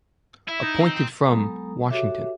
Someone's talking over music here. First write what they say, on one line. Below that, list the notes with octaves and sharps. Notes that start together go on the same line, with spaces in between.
Appointed from: Washington.
E4 E5
D#4
C4
F#3 G#3 B3 A4 A#5 D#6
F#4 G4 A4 C#5 E5 D6